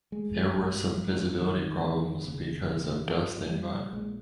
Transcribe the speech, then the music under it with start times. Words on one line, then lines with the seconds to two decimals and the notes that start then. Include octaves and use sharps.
There were some visibility problems because of dust and mud.
0.12 G#3
0.54 A#1 G#2
0.76 G3
0.97 F3
1.09 G3
1.18 F3
1.39 D#3
1.57 D#3
2.24 F1 D#2 C#3
3.08 F3
3.50 G3
3.93 A#1 A#2 G#3